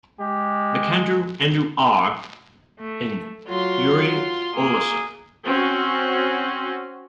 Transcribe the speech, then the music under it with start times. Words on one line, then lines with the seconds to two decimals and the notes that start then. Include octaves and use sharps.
MacAndrew, Andrew R., and Yuri Olesha.
0.20 G#3 G4
2.80 A3
3.49 F#3 F4 C6
4.55 A#3 G#4
5.44 C4 C#4 F#4